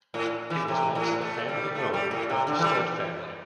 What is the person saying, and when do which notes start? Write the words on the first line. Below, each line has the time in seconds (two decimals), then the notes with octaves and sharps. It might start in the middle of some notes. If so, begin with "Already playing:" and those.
It was once the family home of the Studd family.
0.14 A2
0.50 E3
0.68 C3
0.95 A2
1.22 A3
1.49 G3
1.75 A3
1.94 G3
2.11 A2
2.29 C3
2.47 D3
2.59 E3
2.64 G3